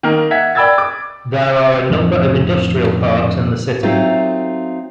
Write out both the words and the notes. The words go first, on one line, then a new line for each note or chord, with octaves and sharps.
There are a number of industrial parks in the city.
D#3 A#3 A#5 F6
E5 F#5 G#6 B6
D5 G5 B5 E6 G#6 A6
D6
F2 A2 D3
F#3 A3 C4 D#4 F4